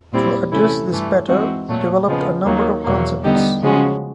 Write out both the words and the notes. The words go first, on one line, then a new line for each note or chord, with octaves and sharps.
To address this Petter, developed a number of concepts.
A#2 G3 C4 E4
C3 E3 A3 C#4 E4
G2 E3 A3
E3 G#3 C4 D#4 F#4
A#2 F#3 A3
C#3 F3 G#3 B3
D#2 D#3 F#3 A#3
E2 B2 F#3 A#3
D3 G3 B3 D#4 G4
C#3 F3 G#3 C#4 F#4